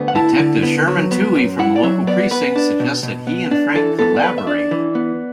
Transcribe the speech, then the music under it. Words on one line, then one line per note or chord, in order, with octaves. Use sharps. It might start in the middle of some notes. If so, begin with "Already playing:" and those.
Detective Sherman Touhey from the local precinct suggests that he and Frank collaborate.
Already playing: D2 B3
F#5
E4 A5
D3
B3
F#3
B3
F#2
E4 F#5
D5
F#3 E5
B3 D5
B3 B4
D4
B2
B2
B3
D4
E3 A4
B3 A4
D5
E2 B4
E5
D4 D5
E3
B3